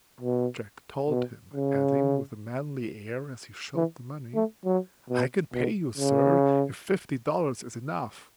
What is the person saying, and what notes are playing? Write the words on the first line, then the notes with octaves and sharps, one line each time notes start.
Jack told him, adding, with a manly air, as he showed the money, 'I can pay you, sir, if fifty dollars is enough.'
B2
B2
C#3
E3
A3
F#3
B2
B2
C#3